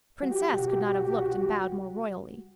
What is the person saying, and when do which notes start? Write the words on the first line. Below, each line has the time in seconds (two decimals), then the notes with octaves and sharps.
A princess could not have looked and bowed more royally.
0.22 G3 F#4
0.32 G4
0.41 F#4
0.50 B2 G4
0.59 F#4
0.68 G4
0.78 F#4
0.84 C2 G4
0.96 F#4
1.04 G4
1.15 C2 F#4
1.23 G4
1.32 F#4
1.41 G4
1.45 G3
1.51 F#4